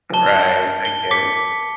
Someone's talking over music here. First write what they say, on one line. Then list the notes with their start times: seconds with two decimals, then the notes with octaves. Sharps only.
Right, I get it.
0.14 A5 G7
0.85 G7
1.11 D6 B6 C#7